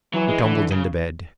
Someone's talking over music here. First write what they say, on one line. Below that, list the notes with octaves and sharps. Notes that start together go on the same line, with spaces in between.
We tumbled into bed.
E3 F#3
G#3
D3 E3
C#3